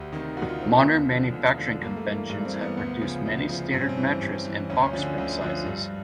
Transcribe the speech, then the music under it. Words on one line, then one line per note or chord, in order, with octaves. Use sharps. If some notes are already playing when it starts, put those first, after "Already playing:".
Modern manufacturing conventions have produced many standard mattress and box spring sizes.
Already playing: D2 G4
C3 D#3
D2 F#4
F4
C3 D#3 C4
B3
D#2
D3 F3
D#2
D3 F3
G2 A#3
A3
E3
A#3
G2
C4
E3
B3
D2 B3
C#3 F3
D2
C#3 F3
G2 C4
C#4
C4
E3
G2
E3
D2 C#4
C#4
D3 F3 C#4
D2
D3 F3
G2